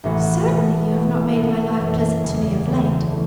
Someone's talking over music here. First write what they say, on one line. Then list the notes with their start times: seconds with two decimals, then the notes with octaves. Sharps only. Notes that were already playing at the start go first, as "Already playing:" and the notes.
Certainly you have not made my life pleasant to me of late.
0.04 A1 A2 E3 B3 F#4
0.48 B2 B3 F#4 A4
0.91 A1 A2 A3
1.35 B2 B3 F#4 A4
1.77 F#2 E3 C#4 E4 A4
2.22 F#1 E2 C#3 F#3
2.65 C#2 C#3 E3 A3 C#4
3.10 E3 A3